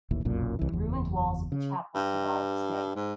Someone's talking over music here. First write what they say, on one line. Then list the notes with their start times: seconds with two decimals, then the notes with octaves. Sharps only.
The ruined walls of the Chapel survive today.
0.11 D#1 A1 D#2 E3
0.25 F1 B1 F#2 A#2
0.59 C2 E3
0.72 F#1 E2
1.52 C#3
1.95 G2
2.96 G#2